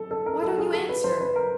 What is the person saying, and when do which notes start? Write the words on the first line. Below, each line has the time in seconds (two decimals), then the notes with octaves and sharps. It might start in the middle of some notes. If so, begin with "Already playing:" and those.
Why don't you answer?
Already playing: A4
0.11 A4
0.26 A#4
0.43 A4
0.58 G#4
0.74 A4
0.89 B4
1.04 C5
1.21 B4
1.36 A#4